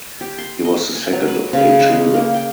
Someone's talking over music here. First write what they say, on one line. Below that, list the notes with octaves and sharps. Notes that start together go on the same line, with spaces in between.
He was the second of eight children.
G4
C6
D#5
G#5
F#3
B4
C#3
G#3
A#3
G5